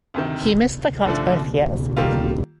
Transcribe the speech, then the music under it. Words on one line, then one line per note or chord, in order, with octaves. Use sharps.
He missed the cut both years.
D2 C3 D#3
D#2 D3 F3 A3 D4
D#3 G3 A#3 F4 A4